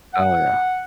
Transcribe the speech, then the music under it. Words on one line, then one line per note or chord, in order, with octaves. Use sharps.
Oh, yeah.
F#5